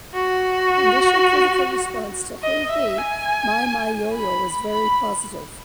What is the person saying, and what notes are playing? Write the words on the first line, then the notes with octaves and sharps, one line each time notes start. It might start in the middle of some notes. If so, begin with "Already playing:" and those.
Initial critical response to "Hey Hey My My Yo Yo" was very positive.
F#4
D#5
E5
G#5
B5
B5